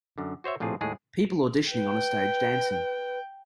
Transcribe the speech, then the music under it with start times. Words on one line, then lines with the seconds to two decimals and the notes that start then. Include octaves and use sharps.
People auditioning on a stage dancing.
0.18 F#2 D3
0.44 F#4 C5 C#5 E5
0.60 A#1 A2 C3 F4 G#4
0.81 D#2 A2 G#3 G#4
1.71 B4 G5